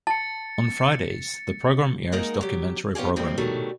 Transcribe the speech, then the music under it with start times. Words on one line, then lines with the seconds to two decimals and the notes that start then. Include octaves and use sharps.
On Fridays, the program airs documentary programming.
0.07 A5 A6 C#7
2.12 G#3 A#3 D#4 A#4 F#5
2.41 F#3 G4
2.95 B3 C#4 F4 G4 G#4
3.16 D#2 A2 F3 G3 C4
3.37 B2 D#3 F#3 G3 A3